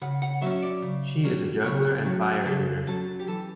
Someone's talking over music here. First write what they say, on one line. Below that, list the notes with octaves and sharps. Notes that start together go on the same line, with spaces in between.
She is a juggler and fire eater.
C#3 F#5
F#5
F#3 C#4 E5
D5
C#3
F#3 C#4
C#3 C#5
F#3 C#4
C#3 A4
F#3 C#4 A4
G4
E3 A4